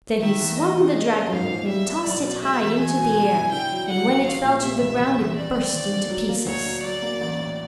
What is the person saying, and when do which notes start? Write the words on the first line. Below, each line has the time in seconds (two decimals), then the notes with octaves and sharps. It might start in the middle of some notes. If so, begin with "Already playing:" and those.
Then he swung the dragon, and tossed it high into the air, and when it fell to the ground it burst into pieces.
0.22 D#3 E5
0.40 E2
0.58 E2 D#5
0.77 C3
0.95 G#3 D#5
1.14 C#4
1.32 G#2 F5
1.51 F3
1.68 G3 E5
1.87 B3
2.06 B1 D5
2.24 B2
2.42 G#3 E5
2.61 E2
2.79 E2 G#5
2.98 B2
3.15 B3
3.34 E4
3.52 D3 G5
3.71 F#3
3.89 F#3 F#5
4.07 A#1
4.26 A#1 F5
4.45 A#2
4.62 C3 E5
4.82 F1
4.99 F1
5.18 E2
5.37 G3 D5
5.55 C4
5.73 D#2
5.92 D3
6.10 F#3
6.29 A#3
6.46 D2 C#5
6.65 D3
6.83 F#3 D5
7.02 A#3
7.20 A1
7.39 A2